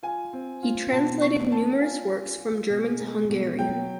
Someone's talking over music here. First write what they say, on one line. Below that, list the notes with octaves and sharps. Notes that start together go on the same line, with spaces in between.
He translated numerous works from German to Hungarian.
F4 G#5
C4
F4
B2 A5
C4 C#6
C4 A5
F4 G#5
F4
F4
B2
G#3
B2
F#3 G5